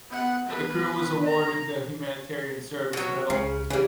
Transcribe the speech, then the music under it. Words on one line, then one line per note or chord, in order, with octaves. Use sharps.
The crew was awarded the Humanitarian Service Medal.
B3 F#5
B3 B4
A#5
B2 F#3
C#2 C#3
C#3 E3 G3